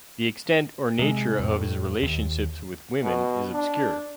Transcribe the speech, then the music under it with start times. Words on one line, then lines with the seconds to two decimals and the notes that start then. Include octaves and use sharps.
The extent or nature of his relationships with women is obscure.
0.99 C3 G#3
1.40 F2 A2
2.03 D#2
3.03 B2
3.53 D4